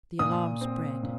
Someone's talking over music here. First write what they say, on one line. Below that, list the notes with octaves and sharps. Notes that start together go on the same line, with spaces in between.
The alarm spread.
A#2 D#6
C4
A#2